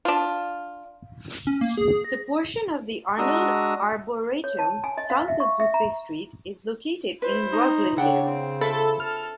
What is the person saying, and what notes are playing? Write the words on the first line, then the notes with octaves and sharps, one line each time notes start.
The portion of the Arnold Arboretum south of Bussey Street is located in Roslindale.
D4 F4
C#4
A#3
G#4
A#6
G#3 D4 F#4 A#5 D#6 E6
C#5
A5
G#5
D#5
F5
E5
C#6
E5
A#5
E4 B4 C5
D#4
C#3 D4 E4 C#5 F#5 G5
C4
F4 A4 E5 B5
A4 F6